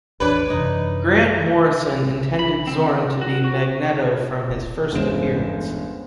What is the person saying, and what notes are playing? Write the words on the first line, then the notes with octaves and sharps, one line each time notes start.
Grant Morrison intended Xorn to be Magneto from his first appearance.
A1 E2 D4 B4 C#5 D5
F#2 C3 E3 D#4
B5
C4
F#4
F#4
G1 E2 G#3 C#4 C5 E7